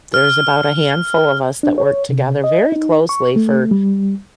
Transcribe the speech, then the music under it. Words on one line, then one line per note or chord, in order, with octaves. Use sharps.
there's about a handful of us that worked together very closely for
F6
D4
C#5
C3
D#5
D#4
C#6
A3
G3